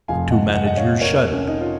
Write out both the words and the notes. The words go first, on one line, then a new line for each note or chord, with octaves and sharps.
The two managers shuddered.
F1 F2 F3 F5 G#5
D#5 F#5
D#5 F#5
D#5 F#5
C#5 F5
A#4 C#5
C#4
D#4
F4